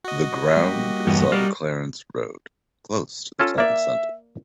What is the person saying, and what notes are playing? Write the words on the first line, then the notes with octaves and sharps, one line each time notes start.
The ground is on Clarence Road, close to the town centre.
F#4 D#5
G3 A#3 G4
E2 G2 B3
G3 A#4 D5 F5
C#4 F4 A4
A#3 D5 E5